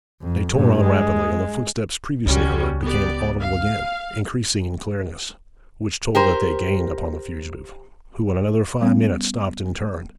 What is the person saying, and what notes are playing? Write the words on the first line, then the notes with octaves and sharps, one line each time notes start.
They tore on rapidly, and the footsteps previously heard became audible again, increasing in clearness, which told that they gained upon the fugitive, who in another five minutes stopped and turned.
F2
G2 A#2
G#3
C#2 G3 C#4 F#4
B3 G4 D5
F5
G4 A#4 C5
G3 B3 C#4